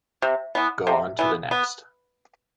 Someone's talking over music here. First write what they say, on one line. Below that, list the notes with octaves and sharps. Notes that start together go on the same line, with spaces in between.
Go on to the next.
C3
E3 B3
C3
E3 B3
B3